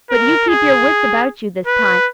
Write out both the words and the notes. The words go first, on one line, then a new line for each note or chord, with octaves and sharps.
But you keep your wits about you this time.
A#4
G#4
B4